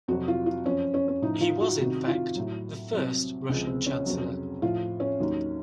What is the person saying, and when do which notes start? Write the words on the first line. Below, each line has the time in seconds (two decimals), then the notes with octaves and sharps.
He was, in fact, the first Russian chancellor.
0.08 F2 C3 F#3 F#4
0.28 F4
0.46 F4
0.65 F#2 F3 C#4
0.94 C#4
1.08 C#4
1.22 A2 F3 D#4
1.41 F4
1.60 F#4
1.79 C2 C3 D#3 F#4
2.07 F4
2.35 A2 F#3
2.92 C2 C3 F#3
3.49 C#2 C3 F3
3.67 C4
3.86 C#4
4.06 F2 C3 F#3
4.62 A2 F3 F4
5.00 C#4
5.19 D#2 D#3 F#3